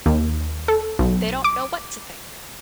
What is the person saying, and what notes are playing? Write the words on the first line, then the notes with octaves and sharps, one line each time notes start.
They don't know what to think.
D#2
A4
B1
D6